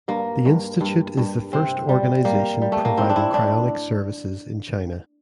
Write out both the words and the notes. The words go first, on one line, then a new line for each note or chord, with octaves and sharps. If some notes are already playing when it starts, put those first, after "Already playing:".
The institute is the first organization providing cryonics services in China.
G2 A#3
G2
G2
G2
C3 C4
G3
G3 A#3
G3
A3
A#3
A2 C4
D4
E4
A2 D4